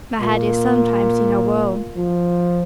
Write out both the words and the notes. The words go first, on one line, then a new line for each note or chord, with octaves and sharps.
My head is sometimes in a whirl.
A#2
F3